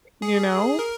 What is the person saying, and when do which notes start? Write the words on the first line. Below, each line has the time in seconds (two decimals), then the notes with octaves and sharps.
You know?
0.22 G#4
0.79 A#4